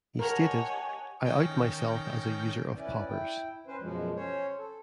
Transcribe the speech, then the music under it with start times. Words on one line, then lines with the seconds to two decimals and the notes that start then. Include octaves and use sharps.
He stated, I out myself as a user of poppers.
0.19 G4 A#4 C#5 D#5 F#5 G#5 A5
1.26 D#3 C#4 G5
2.77 C#4 E4 B4 D5
3.08 E4 G5
3.67 C#4 B4 C5
3.80 F#2 B2 F3 G#3
4.16 C#4 C5 C#5
4.58 A4